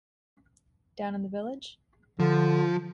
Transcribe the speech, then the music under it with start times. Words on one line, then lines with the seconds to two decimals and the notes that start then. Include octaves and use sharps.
Down in the village?
2.20 D3 F3